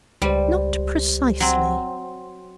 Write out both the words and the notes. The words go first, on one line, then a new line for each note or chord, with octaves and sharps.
Not precisely.
C#2 G3 G4 C5
F#3 C4